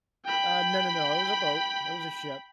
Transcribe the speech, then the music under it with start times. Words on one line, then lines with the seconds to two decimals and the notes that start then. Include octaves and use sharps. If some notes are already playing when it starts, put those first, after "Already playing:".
Uh, no, no, no, it was a boat, it was a ship.
0.25 G5 B5